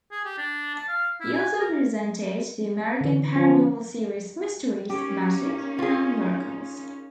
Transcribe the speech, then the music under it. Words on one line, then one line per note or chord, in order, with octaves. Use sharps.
He also presented the American paranormal series Mysteries, Magic and Miracles.
G#4
G4
D4
A5
F5
E4
G#5
A#4
D3 E3
F3 C#4
A#3 C#4 D#4 G4
F4 G#4